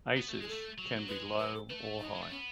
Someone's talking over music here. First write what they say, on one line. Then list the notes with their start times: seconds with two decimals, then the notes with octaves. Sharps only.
Aces can be low or high.
0.17 B3
0.28 A3
0.40 G#3 G#4
0.48 A4
0.53 A3
0.78 F#3
0.97 F#3
1.08 G#3 B4
1.39 B4
1.55 A4
1.69 A3 B4
1.99 D#4
2.04 F#3
2.13 G#3
2.21 A3
2.30 B3 C#4